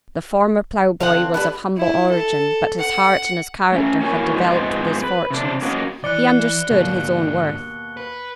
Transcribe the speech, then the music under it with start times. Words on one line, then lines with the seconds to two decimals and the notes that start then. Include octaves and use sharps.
The former ploughboy was of humble origin, but his heart and his character had developed with his fortunes; he understood his own worth.
1.00 D3 F3 C4 F5 F#5
1.34 G3 A3 B3 D4 B4 B5
1.77 E4
2.10 A4
2.79 F#5
3.72 A3 C#4
4.01 A#3 E4 F#4 A#4 C#5 G#5
4.34 G#2 F3 G#3 B3 C4
5.04 B4
5.30 C3 D4
5.62 A#3 C#4 D#4 F#4 A#4
6.04 E3 D5 F#6 C#7 G7
6.70 D#2 G#2 B2 D3
7.97 B4